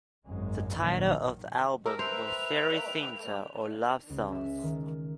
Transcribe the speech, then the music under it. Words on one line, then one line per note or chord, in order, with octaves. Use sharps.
The title of the album was "Seri Cinta" or Love Songs.
G#1 F#2 G#3
A#1 D#3 F#3
G4 A#4 D#5 E6
B4 C5 E5 G5 F7
C#2
E5
D#3